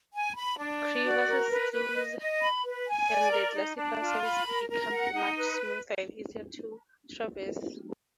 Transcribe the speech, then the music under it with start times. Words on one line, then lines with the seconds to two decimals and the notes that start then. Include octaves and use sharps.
Crevasses close and the glacier surface becomes much smoother and easier to traverse.
0.13 G#5
0.36 B5
0.58 D4
0.82 D5
1.04 F#4
1.27 A#4
1.50 B4
1.72 B4
1.95 D#5
2.18 D#5
2.40 B5
2.64 B4
2.87 G#5
3.08 D5
3.32 A#4
3.55 D#4
3.77 D4
4.00 F4
4.22 B5
4.46 A#4
4.69 A#4
4.91 F#5
5.13 D#4
5.37 B4